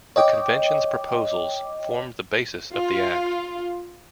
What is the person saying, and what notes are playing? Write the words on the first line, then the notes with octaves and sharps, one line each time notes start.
The Convention's proposals formed the basis of the Act.
C#5 D#5 G5 D6
F4